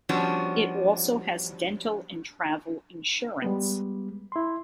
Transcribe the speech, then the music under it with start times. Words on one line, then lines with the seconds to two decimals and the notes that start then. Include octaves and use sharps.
It also has Dental and Travel insurance.
0.09 F3 G3 B3 C#4 D4 F#4
3.42 G3 G#3 B3
4.32 E4 C6